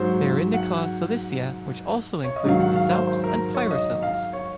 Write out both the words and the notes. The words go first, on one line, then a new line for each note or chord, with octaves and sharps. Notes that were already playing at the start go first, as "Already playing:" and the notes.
They are in the class Thaliacea, which also includes the salps and pyrosomes.
Already playing: G#2 F#3 C5
F#5
C#5
D#5
G#2 D#3 F#3 F5
F#5
F5
C5
C5
A#4
C#5
D#5
F5
C#5